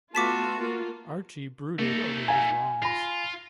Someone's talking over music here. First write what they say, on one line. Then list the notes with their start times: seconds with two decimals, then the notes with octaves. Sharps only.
Archie brooded over his wrongs.
0.15 A3 B3 F4 F#4 A5 D6 B6 E7
0.57 A#3 F4
1.79 A3 A#3 D#4
2.28 F5 G#5 A#5
2.82 F4 B5 A#6